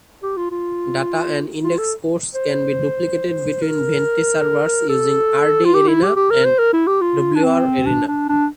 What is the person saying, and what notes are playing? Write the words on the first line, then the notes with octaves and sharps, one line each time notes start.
Data and index scores can be duplicated between Venti servers using 'rdarena' and 'wrarena'.
G4
F4
F4
F4
A4
C5
A#4
A4
F4
G4
E4
G4
G4
A#4
C5
A#4
E4
G4
F4
D4
C4
D4
D4
D4